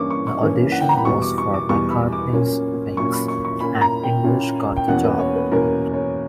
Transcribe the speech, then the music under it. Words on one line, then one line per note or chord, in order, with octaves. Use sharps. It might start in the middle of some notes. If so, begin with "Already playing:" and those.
The audition was for McCartney's Wings, and English got the job.
Already playing: G2 E3 A#3 C#4 C#6 D6
C#6
C#6
G2 E3 A#3 C#4
F#5
G5
A#5
B5
E2 B2 G3 B3 C#6
D6
C#6
D6
E2 B2 G3 B3 C#6
B5
D6
A#2 F#3 A#3 C#4
A#2 F#3 A#3 C#4 C#6
B5
C#6
C#6
A#2 A#3 C#4 B5
A#5
G5
A#2 A#3 C#4
G5
E2 B2 A#3 C#4 F#5
B4
C#5
B4
E2 B2 A#3 C#4 A#4
C#5